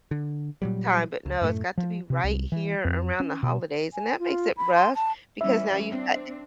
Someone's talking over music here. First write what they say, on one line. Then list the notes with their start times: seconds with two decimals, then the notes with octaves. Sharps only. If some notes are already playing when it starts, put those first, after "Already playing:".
time? But, no, it's got to be right here around the holidays. And that makes it rough because now you've got
0.11 D3
0.62 A#2 F#3 G3
1.26 C#2
1.41 F#2 A2 A3
1.78 F3
2.10 C3
2.24 C2
2.52 E3
2.85 F2
3.20 C#4
3.43 B2
3.94 G#5
4.19 F4
4.57 B5
4.75 C6
4.95 A5
5.41 E3 G3 C#4 E5
5.90 C4 D4